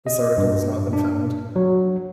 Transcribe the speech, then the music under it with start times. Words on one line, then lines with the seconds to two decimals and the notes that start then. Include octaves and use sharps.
This article has not been found.
0.07 D#5
0.38 G2
0.93 D4
1.56 F#3